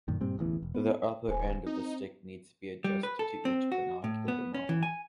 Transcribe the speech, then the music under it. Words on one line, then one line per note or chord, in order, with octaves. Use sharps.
The upper end of the stick needs to be adjusted to each binocular model.
F#2 A#2 D#3
G2 A#2 G3 C4
D1 A1 E2 E3
E1
B3
D#1 C5 G#5
C4 D#4
G3
B4
A4
C4
F#4
A2
B3
C#4
E3
G#5